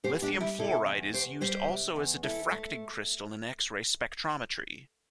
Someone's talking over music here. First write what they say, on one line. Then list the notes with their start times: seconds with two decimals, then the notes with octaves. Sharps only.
Lithium fluoride is used also as a diffracting crystal in X-ray spectrometry.
0.04 E2 G4 C5
0.22 D4 G4
0.32 G3
0.40 C4 E4
0.58 C3 E4 A4
0.86 E2
1.13 E2 G4 C5
1.41 G3 G4 C5
1.68 C3
1.96 E2
2.23 E2 E4 A4
2.51 A3